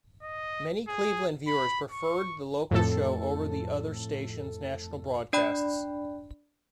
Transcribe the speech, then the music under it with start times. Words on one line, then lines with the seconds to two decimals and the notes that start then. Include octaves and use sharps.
Many Cleveland viewers preferred the local show over the other stations' national broadcasts.
0.23 D#5
0.88 G#4
1.47 B5
1.91 C#6
2.71 F2 A2 A4
5.33 D4 D5 G5 B5 F#6